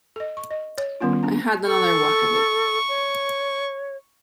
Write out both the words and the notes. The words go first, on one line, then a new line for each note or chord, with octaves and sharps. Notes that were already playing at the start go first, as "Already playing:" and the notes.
I had another whack at it.
A4 D#5
C#6
D#5
C#5
D#3 G3 B3 C#4 F4
D4 A#5
A4 C#6
C#5